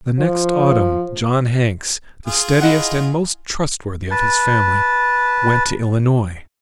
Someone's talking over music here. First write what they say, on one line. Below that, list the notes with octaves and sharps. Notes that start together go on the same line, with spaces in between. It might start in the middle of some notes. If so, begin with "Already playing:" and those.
The next autumn, John Hanks, the steadiest and most trustworthy of his family, went to Illinois.
F3
F4 G#4
E4 D#5 F#5
B4 A5